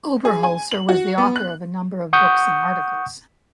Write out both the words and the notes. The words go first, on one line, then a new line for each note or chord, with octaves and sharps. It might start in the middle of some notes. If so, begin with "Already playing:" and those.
Oberholser was the author of a number of books and articles.
G#4
G#5
F#7
F#4
B3
F#6
F#5 C#6 D#6 G6